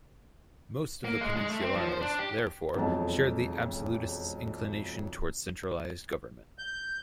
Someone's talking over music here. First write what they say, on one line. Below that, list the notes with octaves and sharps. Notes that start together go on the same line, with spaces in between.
Most of the "peninsulares", therefore, shared the absolutists' inclination towards centralized government.
A#3
G#3
G#3
A3
C4
F3
C5
D4
G4
E1 B1 F2 G#3 D#5 A5
G6